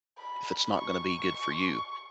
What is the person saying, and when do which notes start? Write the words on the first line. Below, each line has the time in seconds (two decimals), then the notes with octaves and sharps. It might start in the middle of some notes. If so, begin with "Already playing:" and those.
if it's not gonna be good for you.
0.18 B5
0.47 B5
0.78 C#6